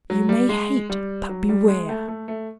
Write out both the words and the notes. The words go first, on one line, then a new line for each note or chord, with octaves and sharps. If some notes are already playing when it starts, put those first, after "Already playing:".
You may hate, but beware!
F#3
G3
G#3
G3
F#3
G3
G#3
A3
A3
A3